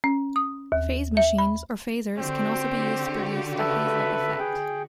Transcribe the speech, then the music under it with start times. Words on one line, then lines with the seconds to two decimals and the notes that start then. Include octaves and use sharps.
Faze machines, or fazers, can also be used to produce a haze-like effect.
0.04 C#4
0.36 D#6
0.72 D#2
1.17 E5
1.38 B5
2.18 D3 C4 F#4 G4
3.59 A4 B4 E5
4.39 G#4 G5